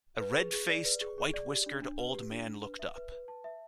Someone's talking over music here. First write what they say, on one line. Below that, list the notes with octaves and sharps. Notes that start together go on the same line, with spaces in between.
A red-faced, white-whiskered old man looked up.
B4
G#4
G#4
D5
B4
G#4
G#4
D5
G4
D4
D4
B4
G4
D4
D4
B4
E5
B4
B4
A5
E5